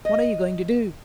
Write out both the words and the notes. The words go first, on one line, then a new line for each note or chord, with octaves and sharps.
"What are you going to do?"
D#5